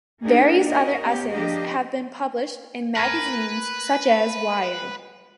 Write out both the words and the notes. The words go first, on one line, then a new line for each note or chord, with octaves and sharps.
Various other essays have been published in magazines such as "Wired".
A#3 D4 D#4 G4 G#4 A#4
F#4 A#4 D#5
B3 C#4 G4
F3 A#3 D4 G4 D#5
A#4 B4 G#5